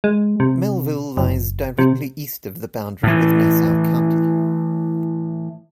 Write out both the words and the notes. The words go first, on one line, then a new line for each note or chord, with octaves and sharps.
Melville lies directly east of the boundary with Nassau County.
G#3
C3
F#1
C3
A2 E3